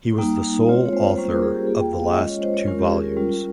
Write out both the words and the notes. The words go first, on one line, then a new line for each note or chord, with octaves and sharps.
He was the sole author of the last two volumes.
G3 A#3 D#4
G#3 C4 F4 C#5
C#5
C5
G3 A#3 C#4 F4 C5
A#4
G#4
G4
A#3 F4 G#4
G5
F5
D#5
G#3 C#4 F4 D#5
C#5
C5
C#5
G#3 C#4 F4 A#4
G4
G#4
A#4
G3 C#4 F4